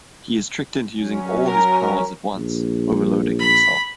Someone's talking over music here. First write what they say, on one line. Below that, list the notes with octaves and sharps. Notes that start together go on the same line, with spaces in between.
He is tricked into using all his powers at once, overloading himself.
F#3 C#4
A#4
A#1
B5